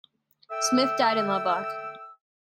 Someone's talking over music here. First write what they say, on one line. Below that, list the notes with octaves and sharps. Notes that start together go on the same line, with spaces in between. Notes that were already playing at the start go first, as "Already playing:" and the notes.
Smith died in Lubbock.
A4 E5 G5 E6